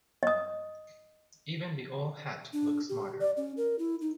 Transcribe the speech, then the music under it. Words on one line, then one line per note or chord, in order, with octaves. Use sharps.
Even the old hat looked smarter.
D#5 D#6
D4
G4
D5
C#4
A#4
E4
D#4